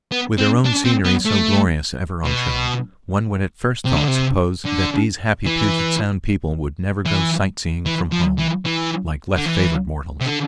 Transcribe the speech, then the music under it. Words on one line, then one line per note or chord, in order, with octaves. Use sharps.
With their own scenery so glorious ever on show, one would at first thought suppose that these happy Puget Sound people would never go sightseeing from home like less favored mortals.
B3
C4
D4
C4
B3
A3
B2
C3
D3
C3
D3
E3
E3
E3
F3
E3
E3
D3
E3
C3
D3